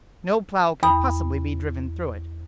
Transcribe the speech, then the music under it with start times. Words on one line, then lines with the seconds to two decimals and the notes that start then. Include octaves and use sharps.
No plough can possibly be driven through it.
0.83 E2 B5 D#6